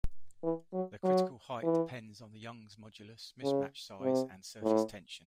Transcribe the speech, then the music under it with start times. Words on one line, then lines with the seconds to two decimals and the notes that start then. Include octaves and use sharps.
The critical height depends on the Young's modulus, mismatch size, and surface tension.
0.43 E3
0.73 F#3
1.04 F#3
1.63 E3
3.43 C#3
4.02 C3
4.63 A2